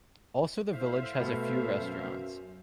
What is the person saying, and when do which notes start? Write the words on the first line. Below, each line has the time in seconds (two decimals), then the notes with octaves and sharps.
Also the village has a few restaurants.
0.72 A2 C5 E5 F5
1.20 B2 A3
1.80 F#2